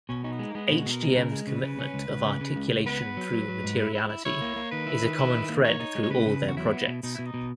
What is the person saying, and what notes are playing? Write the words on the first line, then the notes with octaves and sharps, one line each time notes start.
HdM's commitment of articulation through materiality is a common thread through all their projects.
B2 C#4
C#4 D#4
B3
G#3
A#3
G#3 B3
B2 B3
F#4
B2 A#4
G#3
C#3
G#3
C#3 B4
C#3
C#4
C#2
C#2
C#3
C#3
C#2
C#2
B3 B4
B3
F#3
F#3
F#3
G#2
E4
E4
E4
E4 C#5
A#3
A#3
D#3 B4
E4
D#3
E4
D#3
A#3
D#4 C#5
D#4
G#3
C#5
C#3 B4
C#3
E2
F#4
F#3 E4
B3
B2
B2 D#4
B2 E4
D#4
B2